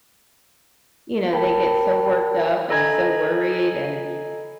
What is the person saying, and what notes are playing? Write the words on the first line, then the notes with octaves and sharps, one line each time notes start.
you know, they get so worked up and so worried and,
A#4 G5 A5 B5
A4 D#5 G#5 A#5 B5 G#6